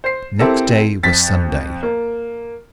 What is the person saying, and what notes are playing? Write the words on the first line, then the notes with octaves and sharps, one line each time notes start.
Next day was Sunday.
C5 C7
C4 E4 G4 A4 A#4
F2 A6 B6
A#3